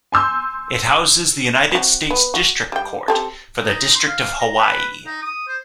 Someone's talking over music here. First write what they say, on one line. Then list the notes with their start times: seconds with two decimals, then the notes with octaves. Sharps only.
It houses the United States District Court for the District of Hawaii.
0.12 G#5 C6 E6 G6
1.72 C4 F#4
2.10 B3
2.34 F#4
2.72 G3 G5
3.08 C4 G4 A4
3.63 D#4
3.95 C6
4.07 F5
4.40 A#5
4.59 B4
5.06 D#4
5.22 D#6
5.48 C5